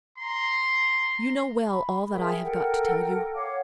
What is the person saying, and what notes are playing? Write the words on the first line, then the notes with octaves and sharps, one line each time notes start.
You know well all that I have got to tell you.
A#5 C6
B5
G#4 A#4 E5 G5
A4 A#4 F#5 G5
C#5 F5 F#5 D6